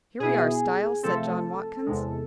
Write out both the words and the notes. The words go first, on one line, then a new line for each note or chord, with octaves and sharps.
"Here we are, Styles," said John Watkins.
B2 B3 E4 G#4
C3 F3 A3 C4 A4
E2 C3 G#3